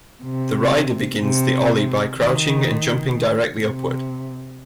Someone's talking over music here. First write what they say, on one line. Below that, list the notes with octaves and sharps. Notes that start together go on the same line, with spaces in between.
The rider begins the ollie by crouching and jumping directly upward.
C3
C3
D#3
C3